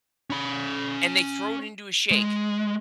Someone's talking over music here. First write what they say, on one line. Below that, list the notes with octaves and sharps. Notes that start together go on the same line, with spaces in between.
and they throw it into a shake.
C#4 B5
G#3